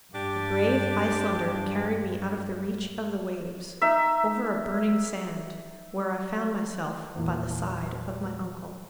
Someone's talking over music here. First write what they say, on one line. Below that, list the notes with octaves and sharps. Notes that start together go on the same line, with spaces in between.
The brave Icelander carried me out of the reach of the waves, over a burning sand where I found myself by the side of my uncle.
G2 D4 G4
D#4 E5
E2 A#2 E3